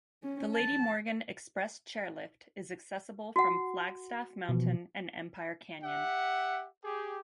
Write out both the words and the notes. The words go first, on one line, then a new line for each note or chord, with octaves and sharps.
The Lady Morgan Express chairlift is accessible from Flagstaff Mountain and Empire Canyon.
C#4
A5
F#4 F#5
B2 E3 F3
G4 E5 F#5
G4 G#4